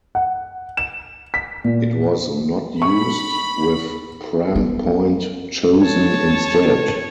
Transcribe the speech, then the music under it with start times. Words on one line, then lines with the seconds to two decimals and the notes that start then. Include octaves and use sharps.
It was not used, with Pram Point chosen instead.
0.15 F#5
0.77 E7
1.34 B6
1.64 A#2
2.82 B5 C#6
4.55 B3
5.83 C#5 A5